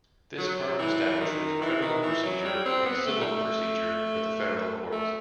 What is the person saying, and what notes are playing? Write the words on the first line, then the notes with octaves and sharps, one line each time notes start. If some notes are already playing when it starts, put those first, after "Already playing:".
This part establishes criminal procedure and civil procedure for the federal courts.
F#3
E3
D#3
E3
D#3
E3
F#3
G3
C4
B3
A3
G3
A3
A3